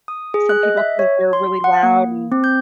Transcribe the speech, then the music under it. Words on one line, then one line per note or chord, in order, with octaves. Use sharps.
some people think they're really loud and
D#6
G#4
F#6
D#5
E5
C#5
C6
F#5
A#3
C4
G6